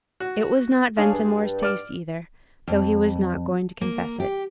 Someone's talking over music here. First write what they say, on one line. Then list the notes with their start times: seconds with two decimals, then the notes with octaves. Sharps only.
It was not Ventimore's taste either, though he was not going to confess it.
0.20 F#4
0.97 D4 G#4 C#5 F5 A5
1.13 G2
1.63 D5 F6
2.68 F2
3.81 A#3
4.20 G4